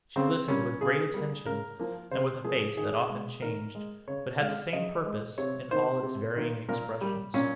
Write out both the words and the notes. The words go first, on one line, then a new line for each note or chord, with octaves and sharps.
She listened with great attention, and with a face that often changed, but had the same purpose in all its varying expressions.
C#3 C4
G3 A#3 C#4
C#3 G#4
G3 A#3
C#3 A#4
F3 A#3
C#3 C5
F3 A#3 G#4
D#3 G#4
G#3
D#3 A#4
G#3
C#3 C#5
G#3 F5
C#3 D#5
G#3
C3 C#5
D#3 A#3 C5
C3
D#3 A#3
A#2 A#4
G3 A#3
A#2 C#4